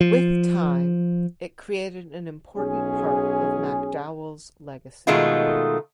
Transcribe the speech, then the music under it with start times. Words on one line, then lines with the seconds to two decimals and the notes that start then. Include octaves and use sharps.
With time, it created an important part of MacDowell's legacy.
0.01 F3
2.57 B1 C#4 G#4
5.07 B2 D#3 G#3 A3 D#4 F4